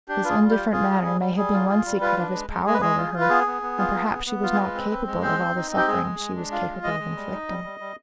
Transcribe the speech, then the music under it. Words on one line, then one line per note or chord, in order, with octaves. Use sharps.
His indifferent manner may have been one secret of his power over her, and perhaps she was not capable of all the suffering she was capable of inflicting.
D4 G4
F4 G#4 B4
G3
G4
F4
F4 G#4
G3
G3
G3
G3 G#4
F4
F4
G3
F4 B4
D4
G#3
G#3
G#3 G#4
B4
G#3 G#4
F4
F4
B4
B3 G#4
B3
B3
F4
B3
B3
B3
F4
G#4
G#3 B4
C4
C4
G#3
C4 C5
C4
D#4
C4
G4
G#3 G#4
G#3
G#3
D4
F4 F5
G#3
G#3 D#5
G#3
G3
D#4
G3
G3
G3